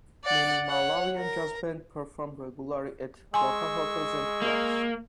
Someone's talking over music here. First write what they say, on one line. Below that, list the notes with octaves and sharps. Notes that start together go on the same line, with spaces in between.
Many Malawian Jazz band perform regularly at local hotels and clubs.
D5 F#5
C#5 F#5
A#4 A#5
G#3 G#5 C6 C#6 E6
A#3